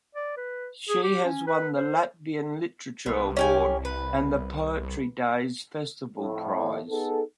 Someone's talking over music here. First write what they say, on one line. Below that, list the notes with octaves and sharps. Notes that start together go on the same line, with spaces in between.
She has won the Latvian Literature Award and the Poetry Days Festival prize.
D5
B4
G#4
G4
C#4
B4
C5
C2 B3
C#4 G4 G#5
B4
F2 A2
B3 D#4 G#4 A4